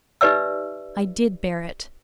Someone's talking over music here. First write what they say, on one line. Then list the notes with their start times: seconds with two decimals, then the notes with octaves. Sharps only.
I did bear it.
0.21 D#4 G4 B4 D5 E5 E6